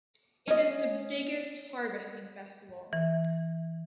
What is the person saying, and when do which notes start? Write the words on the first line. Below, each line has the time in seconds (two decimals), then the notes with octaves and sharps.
It is the biggest harvesting festival.
0.48 C#4 D#5
2.93 E3